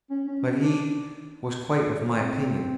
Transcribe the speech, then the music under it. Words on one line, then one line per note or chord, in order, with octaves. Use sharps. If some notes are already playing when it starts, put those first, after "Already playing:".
But he was quite of my opinion.
C#4
C#4
C#4
D4
C4